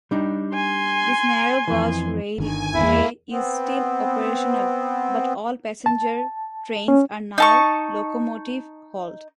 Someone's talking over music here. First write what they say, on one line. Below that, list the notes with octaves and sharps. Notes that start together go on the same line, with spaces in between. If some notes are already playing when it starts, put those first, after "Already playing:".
This narrow gauge railway is still operational but all passenger trains are now locomotive-hauled.
G3 D4 D#4
G#5 C6
F2 E3
G1 D#3 D4 G#5
E2 A#3 E4
B3 C4
A5
C#4
D#4 A5 C#6